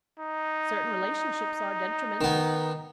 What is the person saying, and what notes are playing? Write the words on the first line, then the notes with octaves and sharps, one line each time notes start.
Certain relationships are detrimental.
D#4
D#3 B3